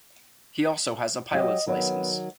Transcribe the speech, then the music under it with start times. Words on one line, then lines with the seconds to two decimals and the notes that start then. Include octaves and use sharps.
He also has a pilot's licence.
1.33 F#3 G4 D#5
1.67 D#3 F#3 B3